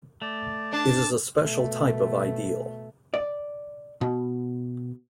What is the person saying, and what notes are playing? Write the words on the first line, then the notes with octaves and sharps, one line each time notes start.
It is a special type of ideal.
A3 D5
D4 A5
B2 A3
D5
B2